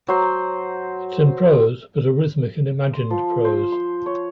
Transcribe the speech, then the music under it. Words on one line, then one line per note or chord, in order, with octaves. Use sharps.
It’s in prose, but a rhythmic and imaged prose.
F#3 C5
C6
F3
C5
C6
C#5